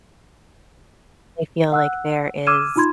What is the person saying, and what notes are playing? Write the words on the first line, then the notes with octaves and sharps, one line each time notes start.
I feel like there is,
F#5 E6 F#6
D6 E6 F6 G#6 D#7 E7
D#4 F4 B5 C6 G#6